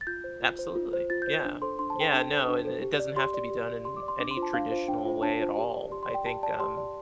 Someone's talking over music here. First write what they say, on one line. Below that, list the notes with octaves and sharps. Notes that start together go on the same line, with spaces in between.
Absolutely. Yeah, yeah, no, and it it doesn't have to be done in any traditional way at all, I think, um,
A6
F4 G6
C5
F4
C5
F4
C5
F4 A6
G6
C5
G6
D4
A4 C5 C6
D4 C6
A5
A4 C5 G5
D4 A5
A4 C5
D4
A4 C5
G4
D5
G4 C6
D5
G4
D5
G4 C6
D6
D5
C6
D4 D6
C6
F4 C5
A5
D4 F5
F4 C5
D4 G5
F4 C5
D4 A5
F4 C5
G4
D5
G4 C6
C6
D5
G5
G4 A5
D5 A5
G4 C6
D5